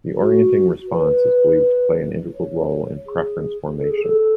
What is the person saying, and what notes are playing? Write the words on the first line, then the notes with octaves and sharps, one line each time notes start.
The orienting response is believed to play an integral role in preference formation.
F#4
B4
C#5
G#4
A4
G#4
A4